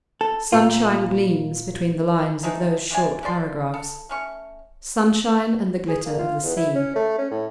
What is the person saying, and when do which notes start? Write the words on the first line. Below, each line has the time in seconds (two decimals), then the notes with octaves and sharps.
Sunshine gleams between the lines of those short paragraphs--sunshine and the glitter of the sea.
0.21 A4
0.52 A#2 F4
2.43 G#3 A3 D#4 A4
2.91 C3 C4 D5 G#5
3.23 F3 G#3 D5 C6
3.74 A4
4.09 A3 C#4 C#6
5.89 G#4
6.06 A#3
6.19 F4
6.44 E2
6.57 E4
6.75 C#4
6.96 A3
7.18 C#4
7.31 A2